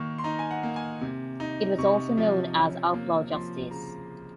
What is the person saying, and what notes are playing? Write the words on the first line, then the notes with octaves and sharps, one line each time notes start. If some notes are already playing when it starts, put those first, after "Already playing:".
It was also known as Outlaw Justice.
Already playing: D#3 A#3 C#6
C6
D#4 A#5
G#5
F#5
A#3
G#5
C3
D#4
C3 C#6
F3
C#4
A#3
F3 C6
C#3 A#5